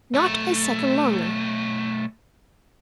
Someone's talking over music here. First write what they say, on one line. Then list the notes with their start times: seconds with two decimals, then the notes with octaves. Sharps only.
"Not a second longer."
0.14 B1 A3